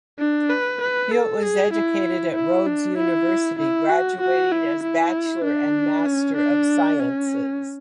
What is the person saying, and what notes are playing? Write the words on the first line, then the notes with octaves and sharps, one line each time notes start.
Hewitt was educated at Rhodes University graduating as Bachelor and Master of Sciences.
D4
B4
B4
A4
G#4
E4
E4
D4
E4
E4
F#4
F#4
E4
E4
D4
C#4
D4
C#4